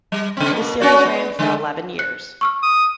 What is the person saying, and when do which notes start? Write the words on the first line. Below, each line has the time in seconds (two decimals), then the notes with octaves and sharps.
The series ran for eleven years.
0.12 G3
0.37 C#3 C4
0.51 B2 A#3
0.80 C#4 F#4 D5
1.05 B3
1.39 D3 G#3 A3
1.99 F#6 C#7
2.41 C#6 E6 F6
2.63 D#6